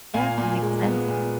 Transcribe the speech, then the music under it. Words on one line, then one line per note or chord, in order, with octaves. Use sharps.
Yeah, that makes sense.
A#2 F5 G#5
A#2
G#3
B3
A#2